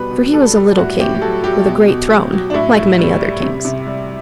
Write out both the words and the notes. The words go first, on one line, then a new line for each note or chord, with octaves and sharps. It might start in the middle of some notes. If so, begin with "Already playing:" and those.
For he was a little king with a great throne, like many other kings.
Already playing: B2 G3 B4
B2
G3 A4
G3
A2 F#4
A2 G4
G4
F#3 A4
F#3 G4
B2
B2
F#3
F#3
D4
A2 E4
A2
G3
G3
C3
C3
G3